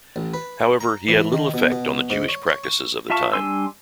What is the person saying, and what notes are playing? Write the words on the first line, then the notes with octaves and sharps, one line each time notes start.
However, he had little effect on the Jewish practices of the time.
A1
B4
A#5
E3
D#3
B2
B2
G#2
C#5
C#5
C#6
F4 E5 F5 A5 C#6
G3 D4 G#5 C6 E6